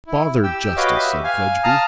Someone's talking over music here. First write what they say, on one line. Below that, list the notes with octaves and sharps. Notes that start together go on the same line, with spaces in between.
'Bother justice!' said Fledgeby.
E4
G4 G5 E6
F#4 B4 C#5 D#5 F5 D6
G4 B4 E5
F5 G#5
F5 A5 A#5 D#6 F6